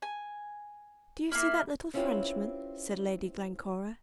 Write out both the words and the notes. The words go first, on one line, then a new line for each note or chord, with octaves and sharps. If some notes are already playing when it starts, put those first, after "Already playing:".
"Do you see that little Frenchman?" said Lady Glencora.
G#5
A#3 E4 F6
C4 C#4 E4 F4 G4 B4